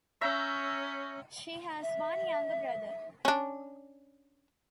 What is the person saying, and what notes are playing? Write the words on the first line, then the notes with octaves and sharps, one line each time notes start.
She has one younger brother.
C#4 E5 A#5 C#6 E6 G6
E5
C#4 D4